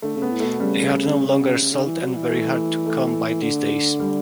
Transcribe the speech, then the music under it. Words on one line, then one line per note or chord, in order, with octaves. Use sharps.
They are no longer sold and very hard to come by these days.
D3 A3
C#3
B3
A2
B2 A3
C#3 G3
C#3
D3
E3
F#3
E3
A3
A3
D3
G3